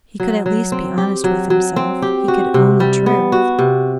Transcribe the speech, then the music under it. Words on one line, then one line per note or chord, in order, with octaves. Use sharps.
He could at least be honest with himself, he could own the truth.
F#3
F#3
C4
G4
F#3
F#3
C4
G4
F#4
C3
G3
B3
F#4
C3